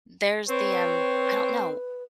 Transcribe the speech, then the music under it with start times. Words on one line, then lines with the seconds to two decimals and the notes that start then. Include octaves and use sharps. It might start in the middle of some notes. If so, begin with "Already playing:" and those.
there's the, um, I don't know.
0.48 C4 B4 C#5